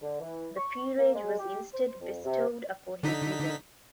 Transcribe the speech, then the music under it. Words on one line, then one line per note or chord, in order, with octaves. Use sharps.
The peerage was instead bestowed upon his widow.
D3
E3
C#6
A#3
G#3
G4
C5
F2
C3
D3 D#4 B6